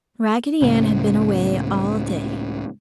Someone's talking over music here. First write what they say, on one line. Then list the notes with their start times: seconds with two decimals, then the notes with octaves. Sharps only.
Raggedy Ann had been away all day.
0.62 C#2 A2 C#3